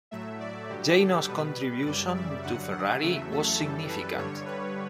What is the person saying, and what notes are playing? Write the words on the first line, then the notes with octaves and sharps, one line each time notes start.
Jano's contribution to Ferrari was significant.
A2 F#3 A3 E5
D5
G2 D3 F#3 G4
A4
B2 G3 B4
F#2 C#3 G3 D5
E5
G2 D3 F#3 F#5
F#5
E2 C#3 F#3 A3 E5
A4
F#2 E3 G3 A4
B4
G2 D3 G3 C#5
B4